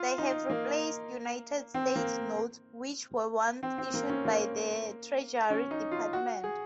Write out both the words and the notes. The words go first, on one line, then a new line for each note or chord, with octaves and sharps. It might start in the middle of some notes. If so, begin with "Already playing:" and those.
They have replaced United States Notes, which were once issued by the Treasury Department.
Already playing: F4
D#4
A#3
C4
A#3
C4
C4
A#3
C#4
A#3
C#4
D#4
F4
F#4
G#4